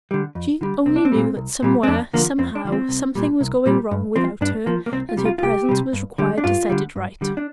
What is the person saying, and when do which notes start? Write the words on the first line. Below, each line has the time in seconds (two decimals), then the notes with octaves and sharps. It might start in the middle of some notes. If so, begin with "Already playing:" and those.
She only knew that somewhere, somehow, something was going wrong without her, and her presence was required to set it right.
0.11 D3 G3
0.35 F2
0.61 D3 G3
0.86 C2 C4
0.96 D4
1.05 C4
1.12 A#2 G3
1.37 C2
1.62 A#2 G3
1.83 C4
1.87 F2 D4
2.14 D3 F3 A#3
2.38 F2 C4
2.55 D4
2.65 D3 F3
2.72 C4
2.89 C2
3.15 A#2 G3
3.41 C2
3.66 A#2 G3
3.91 G2
4.16 F3 C4
4.41 G2 D4
4.66 F3 A#3
4.86 A#3
4.92 C2 C4
5.09 F4
5.17 C3 G3
5.25 F4
5.38 F4
5.43 C2 G4
5.69 C3 G3
5.93 G2
6.18 D3 G3
6.38 D4
6.44 G2 F4
6.69 D3 G3
6.96 G2
7.21 D3 G3
7.37 D4